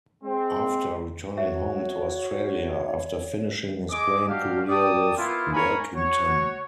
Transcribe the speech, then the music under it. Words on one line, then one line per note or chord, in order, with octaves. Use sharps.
After returning home to Australia after finishing his playing career with Workington.
G#3 C4
F#4 C#5 E5
G#3 D#5 G#5 D6
D4 F#4 G4 F5
D5 G5 A5 D#6
A#3 B3 E4 F4
F4 A#4 C#5 G#5 B5
F#4 C#5